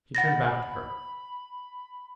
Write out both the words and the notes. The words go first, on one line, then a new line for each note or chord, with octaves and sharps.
He turned back to her.
F#5 B5 A6 A#6